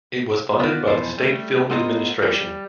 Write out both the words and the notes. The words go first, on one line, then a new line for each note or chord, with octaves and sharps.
It was funded by the State Film Administration.
B3 F4 F#4 D5
F2 B2 E3 A4 C5
G3 A3
B3 F4 A4 A#4 C5 D#5
G3